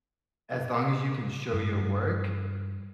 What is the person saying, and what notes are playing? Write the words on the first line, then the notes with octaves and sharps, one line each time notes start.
as long as you can show your work
G2